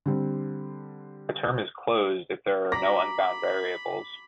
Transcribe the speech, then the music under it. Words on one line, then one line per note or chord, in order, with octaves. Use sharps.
A term is "closed" if there are no unbound variables.
D3 G3 C4
A#5 B5 D6 A#6